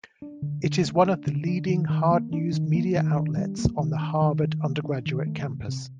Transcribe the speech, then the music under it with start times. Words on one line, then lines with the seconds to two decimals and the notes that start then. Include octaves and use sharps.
It is one of the leading hard-news media outlets on the Harvard undergraduate campus.
0.22 D4
0.42 D3
0.64 D3
0.85 A3
1.05 D4
1.26 D3
1.47 D4
1.69 D#3
1.89 D#3
2.11 A#3
2.33 D4
2.53 D#3
2.75 A#3
2.96 D#3
3.16 D4
3.37 G3
3.58 A#3
3.79 D#3
4.01 D4
4.22 D#3
4.43 D#3
4.64 A#3
4.84 D4
5.06 D#3
5.26 A3
5.47 C3
5.68 C3